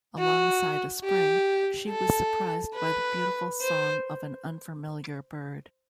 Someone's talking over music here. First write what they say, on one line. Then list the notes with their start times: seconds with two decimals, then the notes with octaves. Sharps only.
Alongside a spring, she was surprised by the beautiful song of an unfamiliar bird.
0.19 F#4
1.04 G4
1.90 A4
2.75 B4
3.62 C5